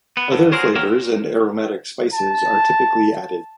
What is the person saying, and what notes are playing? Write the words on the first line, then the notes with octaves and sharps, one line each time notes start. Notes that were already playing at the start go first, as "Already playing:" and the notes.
Other flavors and aromatic spices are typically added.
B3
G2 D3
F4 F#4 G#4 A#4 C5 C#5
A#3 F#4 G4 A#4 C#5 F5
A5